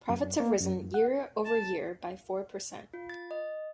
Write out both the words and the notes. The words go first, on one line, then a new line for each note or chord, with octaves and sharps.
Profits have risen year over year by four percent.
F#2
A#3
F#2
F#5
A5
F4
A6
D#5